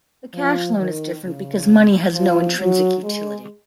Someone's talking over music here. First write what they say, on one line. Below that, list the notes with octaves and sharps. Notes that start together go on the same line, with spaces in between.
The cash loan is different because "money has no intrinsic utility".
F3
D#3
C#3
F3
F#3
G#3